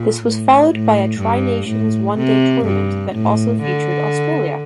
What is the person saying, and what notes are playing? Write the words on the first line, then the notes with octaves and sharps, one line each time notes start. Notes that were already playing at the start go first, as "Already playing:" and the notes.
This was followed by a tri-nations one-day tournament that also featured Australia.
Already playing: A#2
A2
A2
G2
A2
C3
G2
A2
D3